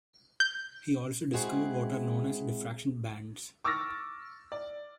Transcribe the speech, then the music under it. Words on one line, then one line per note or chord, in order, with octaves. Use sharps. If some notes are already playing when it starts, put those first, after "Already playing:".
He also discovered what are known as diffraction bands.
G6
G#3 C4 E4 F#4 G#4
C#6 D6 E6 F6 A6 A#6
D5